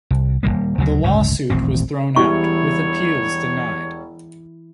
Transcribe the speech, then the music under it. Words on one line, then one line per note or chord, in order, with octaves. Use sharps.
The lawsuit was thrown out, with appeals denied.
C2
D#1 G#2 G3 A#3
D2 C#3 F#3
G1 C#2 A2
D#1 A1 C4
E1 E3 G3 E4 C#5 C#6 G#6